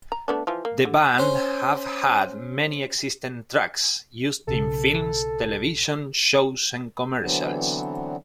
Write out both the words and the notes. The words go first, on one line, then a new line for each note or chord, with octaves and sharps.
The band have had many existing tracks used in films, television shows and commercials.
A#5
A3 B3 D4
E3 F3 F4
A#3
D3
C#4 C5
B1 C#3 A4
D3 E3 F#3 B3 C4 D4